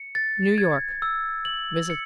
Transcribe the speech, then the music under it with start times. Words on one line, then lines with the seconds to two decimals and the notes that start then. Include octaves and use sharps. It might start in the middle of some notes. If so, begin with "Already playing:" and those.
New York-Mrs.
Already playing: C#7
0.15 A6
0.58 G#6
1.02 E6
1.45 F#7
1.90 C#7